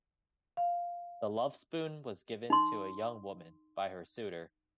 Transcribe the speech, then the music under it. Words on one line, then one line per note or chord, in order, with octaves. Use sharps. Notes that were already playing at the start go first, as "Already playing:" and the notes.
The lovespoon was given to a young woman by her suitor.
F5
D#4 C6